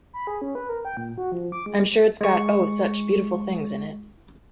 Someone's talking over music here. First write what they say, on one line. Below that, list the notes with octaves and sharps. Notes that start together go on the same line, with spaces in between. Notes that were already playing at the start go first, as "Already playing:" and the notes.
I’m sure it’s got, oh, such beautiful things in it!
B5
G#4
C#4
B4
A#4
G5
A#2
F#4
F3
D6
G#3
G#3 C#6